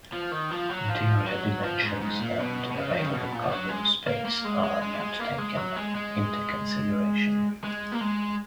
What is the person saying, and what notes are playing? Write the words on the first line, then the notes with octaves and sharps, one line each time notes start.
Interior dimensions and available cargo space are not taken into consideration.
F3
D#3
F3
F#3
F3
F#3
F3
G#2
G#2
A#2
B2
B2
C#3
F3
D#3
C#3
B2
A#2
F3
F#3
G#3
A#3
A#3
G#3
G#3
G#3
G#3
A#3
G#3
F#3
G#3
G#3
G#3
A#3
G#3